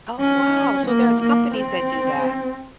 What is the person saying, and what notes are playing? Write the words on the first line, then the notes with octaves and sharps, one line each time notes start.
Oh, wow, so there's companies that do that?
C#4
A#3
A#3
C4